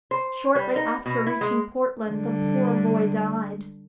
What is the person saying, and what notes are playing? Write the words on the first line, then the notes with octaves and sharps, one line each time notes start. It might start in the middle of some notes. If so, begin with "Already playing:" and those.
Shortly after reaching Portland the poor boy died.
C5
G3
D#4
B2
E4
G#3
D3 G3